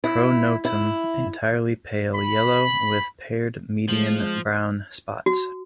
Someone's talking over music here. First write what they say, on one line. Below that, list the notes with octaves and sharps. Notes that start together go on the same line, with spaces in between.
Pronotum entirely pale yellow with paired median brown spots.
E4
E4
B5
F3 G#3
F#4